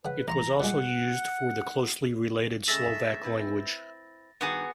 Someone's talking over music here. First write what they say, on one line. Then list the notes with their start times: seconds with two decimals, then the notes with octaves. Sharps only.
It was also used for the closely related Slovak language.
0.05 C#3 B4 F#5
0.28 A1 A#5 C6 C#6
0.60 A#2 G3 G#3 F#5
2.68 C#3 G#3 A3 E5 A6 A#6
3.23 C4 E4 B4
4.41 G2 D#3 B3 F#4 G#4